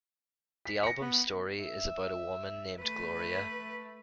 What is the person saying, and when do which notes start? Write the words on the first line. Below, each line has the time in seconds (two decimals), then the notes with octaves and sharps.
The album's story is about a woman named Gloria.
0.65 B6
0.83 A#6 C#7
1.01 B3
1.62 E5
2.82 A3 B4